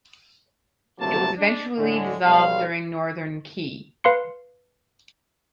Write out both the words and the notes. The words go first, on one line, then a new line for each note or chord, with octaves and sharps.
It was eventually dissolved during Northern Qi.
G1 C3 F#3 A3 A#3 A5
D4
A2 D3 G#3
B1 G3 F5
B4 F5 C6 C#7